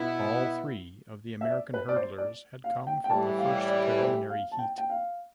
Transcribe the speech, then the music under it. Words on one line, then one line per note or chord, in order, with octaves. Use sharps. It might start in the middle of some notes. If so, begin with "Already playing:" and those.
All three of the American hurdlers had come from the first preliminary heat.
Already playing: B2 B3 E4
E5
D5
B4
D5
C5
D5
F5
G5
G5
A2 E3 G3 A5
F5
D5
B4
C5
F5
A5
G5
G5
F5